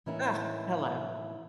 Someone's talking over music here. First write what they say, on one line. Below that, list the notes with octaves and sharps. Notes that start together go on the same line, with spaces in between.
Ugh. Hello.
A2 E3 A#3 C#4 D#4 E4